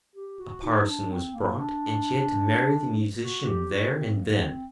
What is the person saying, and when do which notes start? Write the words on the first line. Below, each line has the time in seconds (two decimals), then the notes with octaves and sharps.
A Parson was brought, and she had to marry the Musician there and then.
0.16 G4
0.39 F#4
0.64 D#4
0.87 D4
1.10 C4
1.34 A#3
1.58 D4
3.23 F#4
3.46 G4
3.71 F#4
3.94 C4
4.18 A#3
4.41 C4